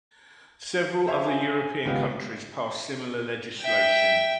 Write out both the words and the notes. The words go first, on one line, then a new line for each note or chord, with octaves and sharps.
Several other European countries passed similar legislation.
G#4 C5 C#5 E5 F5
G#5
G#1 C#3 G#3 B3 F4 G4
E5 G5